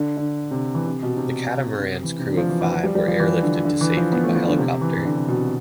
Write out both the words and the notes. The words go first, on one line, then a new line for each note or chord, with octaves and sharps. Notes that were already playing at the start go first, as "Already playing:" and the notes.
The catamarans crew of five were airlifted to safety by helicopter.
Already playing: D3
D3
C3
E3
C3
B2
C3
C3
E3
C3
D3
F3
E3
E3
F3
G3
G3
F3
E3
D3
D3
E3
F3
B3
A3
F3
D3
C3
E3
D3
C3
B2
C3